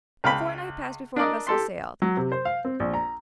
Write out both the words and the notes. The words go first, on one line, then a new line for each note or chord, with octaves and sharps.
A fortnight passed before a vessel sailed.
C#2 F5 G5 B5
D4 A#4 D5 D#5
G4 A4 C6
F#3
C3
C5
F5
C4
A#1
A#5